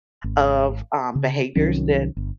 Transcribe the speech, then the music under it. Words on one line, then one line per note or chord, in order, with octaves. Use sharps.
of, um, behaviors that
G#1
C#3
C2 D#3 F#3 C#4
G1